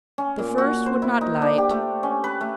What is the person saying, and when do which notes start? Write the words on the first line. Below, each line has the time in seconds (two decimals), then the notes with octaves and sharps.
The first would not light.
0.18 C#4
0.39 A#2
0.58 F#4
0.86 C5
1.02 E4
1.21 D#4
1.42 D4
1.58 G4
1.70 A3
2.03 C#4
2.24 B4
2.41 A3